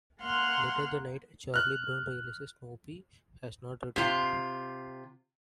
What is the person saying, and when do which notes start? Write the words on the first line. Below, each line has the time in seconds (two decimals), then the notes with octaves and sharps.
Later that night, Charlie Brown realizes Snoopy has not returned.
0.20 A#3 F#5 C6 F6
1.54 F6 F#6
3.96 C3 F4